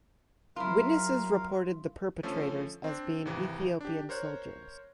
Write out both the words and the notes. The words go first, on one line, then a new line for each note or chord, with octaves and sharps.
Witnesses reported the perpetrators as being Ethiopian soldiers.
F#3 E4 F4 A#4 F5
D3 F3 A3 C#4 A4
C4 D4
G#1 C3 E3
D4 G4
A#4 C5 C#5 F#6